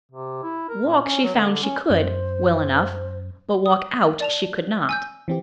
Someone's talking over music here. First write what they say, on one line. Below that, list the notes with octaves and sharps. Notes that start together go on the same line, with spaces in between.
Walk she found she could, well enough, but walk out she could not.
C3
E4
A#4
A#2
C#4
F#3
D3
C#4
F#2 C5
D#6
D5 A5 F7
G#5 E6 G6
E3 C4 G4